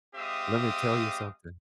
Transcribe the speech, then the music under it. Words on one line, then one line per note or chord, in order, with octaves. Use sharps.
Let me tell you something."
G#3 C4 G4 E5 F5 D#6